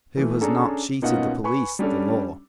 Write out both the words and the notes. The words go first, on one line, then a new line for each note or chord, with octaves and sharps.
Who has not cheated the police, the law?
E3 A3
C#4 D4 G#4 A4 A#5
B2 A#3 C#4 D#4 F4 F#5
B4 G#5 B5 C#6
G3 C#4 D4 A4